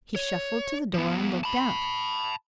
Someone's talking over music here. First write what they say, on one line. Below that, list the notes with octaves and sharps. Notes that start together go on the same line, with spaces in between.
He shuffled to the door and looked out.
C#5
F3 B3
A5 B5